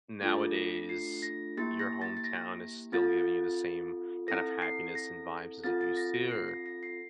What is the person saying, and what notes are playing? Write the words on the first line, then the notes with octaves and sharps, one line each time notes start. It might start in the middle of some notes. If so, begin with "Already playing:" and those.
nowadays, your hometown is still giving you the same kind of happiness and vibes as it used to or
A3 D4 F4 A4 A6
A#6
C7
A#6
A#3 E4 G4 A6
A#6
A6
A6
A#6
C4 F4 A4 A6
C4 E4 A4 A#6
C7
A#6
C4 F4 A4 A6
A6
A#6
A#6
C7
A#6
A#6
C7